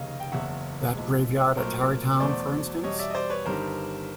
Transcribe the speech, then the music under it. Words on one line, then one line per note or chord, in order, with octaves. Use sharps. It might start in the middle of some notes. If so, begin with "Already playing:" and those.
That graveyard at Tarrytown, for instance.
Already playing: F1 D#2 C#3 D#5 F5
G5
F#1 E2 C#3 E5 F#5
B1 A#2 F3 G#3
B1 A#2 F#3 A3 A#4 C5
E2 B2 F#3 A3 C5 D5
E2 B2 G3 C#5 D#5
D5 E5
D#5
C5 D5
B4 C#5
G1 G2 D#3 G3 A#4 C5